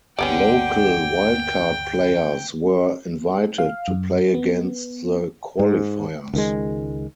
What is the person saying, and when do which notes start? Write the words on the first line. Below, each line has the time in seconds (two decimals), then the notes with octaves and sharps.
Local wild-card players were invited to play against the qualifiers.
0.19 G1 D2 G3 B3 C#4 D5 F#5 G5
3.58 F5
3.88 F#2
4.34 B3
5.59 G#2
6.34 C#2 D#3 G#3